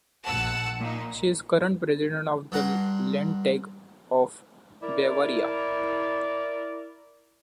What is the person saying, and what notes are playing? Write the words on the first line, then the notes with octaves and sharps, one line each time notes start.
She is current president of the Landtag of Bavaria.
A#1 F#5 A5 E6
A#2 D#4
G2 F#5 A#5 C6
E4 A#4 D5